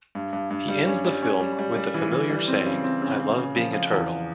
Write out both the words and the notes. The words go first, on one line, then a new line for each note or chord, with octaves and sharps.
He ends the film with the familiar saying, I love being a turtle.
G2
G2
G2
G3
C#4
G3
C#4
G3
G3
G3
E3
E3
G3
C4
C#3
C4
C#3
C#3
C#3
F3
F3
E2